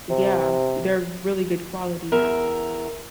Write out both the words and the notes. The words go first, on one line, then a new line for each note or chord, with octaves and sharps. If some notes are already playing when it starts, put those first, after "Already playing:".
Yeah, they're really good quality now.
C3
E2 A#4 E5